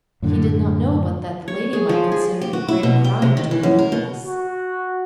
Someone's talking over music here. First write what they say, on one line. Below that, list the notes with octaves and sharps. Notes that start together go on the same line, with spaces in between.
He did not know but that the lady might consider it a grave crime to be mittenless.
F#2 A2 D3
C#5
G#4
F3
G#4
G4
F#4
E4
B2
G5
C3
D#3
E3
F#2
A#4
B2
F#4